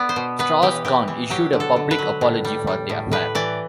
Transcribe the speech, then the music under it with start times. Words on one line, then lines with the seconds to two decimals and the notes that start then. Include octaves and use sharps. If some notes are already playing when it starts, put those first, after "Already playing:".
Strauss-Kahn issued a public apology for the affair.
Already playing: B3 D5
0.09 C5
0.16 B2
0.39 B3 B4
0.62 E3 G4
0.85 E3 G4
1.08 E3
1.30 F#3 G4
1.53 D3
1.60 A4
1.76 D3
1.91 B4
1.99 F#3
2.21 A2
2.45 G3
2.67 G3
2.89 A2
3.11 A2 B4
3.35 E3 D5